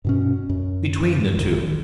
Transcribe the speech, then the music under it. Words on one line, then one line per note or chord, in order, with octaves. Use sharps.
"Between the two."
G2 B2 C#4
F#2
A1 D#3